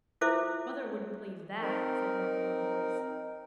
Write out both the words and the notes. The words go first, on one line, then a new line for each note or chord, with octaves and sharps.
'Mother wouldn't believe THAT,' said more than one voice.
E4 F4 A4 C5 E5 D6
C4 D#4 A#4